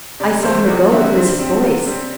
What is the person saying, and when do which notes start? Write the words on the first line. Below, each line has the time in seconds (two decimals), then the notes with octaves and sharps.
"I saw her go with Mrs. Boyce."
0.20 C3 D5
0.43 E3 A3 C4 C5
0.67 E2 D5
0.92 D3 G3 C4 E5
1.15 G2 C5
1.39 G3 C4
1.63 C3
1.87 G3 C4